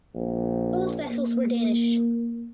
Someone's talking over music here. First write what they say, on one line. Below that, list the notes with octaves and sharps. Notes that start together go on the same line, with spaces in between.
Both vessels were Danish.
A#1
A#3